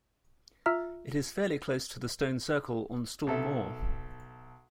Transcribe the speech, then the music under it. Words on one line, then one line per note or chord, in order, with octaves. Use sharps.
It is fairly close to the stone circle on Stall Moor.
F4 E5 A#5 E6 F6
B1 A4 E5